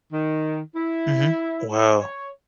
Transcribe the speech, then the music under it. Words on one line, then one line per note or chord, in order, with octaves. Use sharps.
Mhm, wow.
D#3
E4
C#5